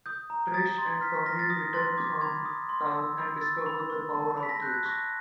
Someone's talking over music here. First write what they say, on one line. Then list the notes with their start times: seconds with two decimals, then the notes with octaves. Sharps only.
Trish and Tommy return from town and discover the power outage.
0.06 D#6 G6
0.30 A#5
0.48 G#6
0.54 D#6 A6
0.78 C6 A6
1.01 F6 B6
1.14 B6
1.26 F6 A#6
1.39 A6
1.50 D#6 A#6
1.74 C6 A6
1.97 D6 G#6
2.21 B5 G#6
2.46 D#6
2.69 C6
2.94 E6
3.18 B5
3.41 E6 A6
3.66 B5
3.90 C#6
4.14 A5
4.37 B5
4.43 B6
4.49 A#6
4.62 F#6 G6
4.74 G#6
4.85 C#6 A#6